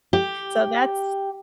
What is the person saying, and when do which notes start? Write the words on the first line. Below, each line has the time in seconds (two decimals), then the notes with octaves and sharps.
so, that's
0.13 G4